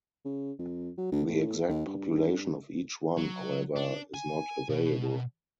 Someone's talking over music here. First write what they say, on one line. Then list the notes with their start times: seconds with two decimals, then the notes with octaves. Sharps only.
The exact population of each one, however, is not available.
0.25 C#3
0.59 F2
0.98 F#3
1.12 D2
1.28 A2
1.69 D#2
1.87 G2
3.17 F#3
3.76 D4
4.14 G#5
4.69 B2